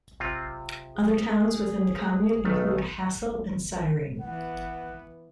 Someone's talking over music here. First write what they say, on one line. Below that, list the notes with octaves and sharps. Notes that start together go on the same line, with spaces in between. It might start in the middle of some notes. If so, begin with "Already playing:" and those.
Other towns within the commune include Hassel and Syren.
C3 C4 F4
G#4
B1 D#3 A3
E3 B3 F#5